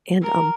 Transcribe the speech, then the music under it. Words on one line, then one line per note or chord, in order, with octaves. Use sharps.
And, um,
A#4